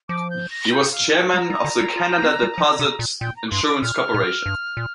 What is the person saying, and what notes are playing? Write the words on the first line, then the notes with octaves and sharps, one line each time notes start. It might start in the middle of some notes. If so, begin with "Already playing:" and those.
He was chairman of the Canada Deposit Insurance Corporation.
F3 D6
G6
A#6
G5
F5
G5
C6
G3 A#5
G3
D3
G3
F4
F4
A#3
C4
G3
F3
C3
A#2
A#2 G5
A#5
D6
G2 C6
D6
A#2 F6
A#2
G2
A#2